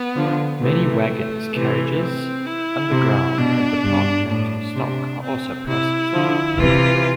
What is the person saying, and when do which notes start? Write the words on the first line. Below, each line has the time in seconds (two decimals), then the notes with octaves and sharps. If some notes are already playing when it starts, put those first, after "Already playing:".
Many wagons, carriages, underground and departmental stock are also processed here.
Already playing: B3
0.16 D3 F3
0.62 C3 E3 A3
1.54 C3 E3
2.00 C4
2.46 E4
2.92 C3
3.38 B2 D4
3.83 G2
4.29 A2 D4
4.76 C3
5.22 C4
5.67 C3 E4
6.13 D3 F3
6.59 C3 E3 F4